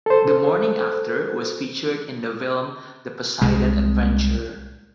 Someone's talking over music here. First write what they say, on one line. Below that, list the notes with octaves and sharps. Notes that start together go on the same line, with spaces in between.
"The Morning After" was featured in the film "The Poseidon Adventure".
A4 C5
C2 C3 G#3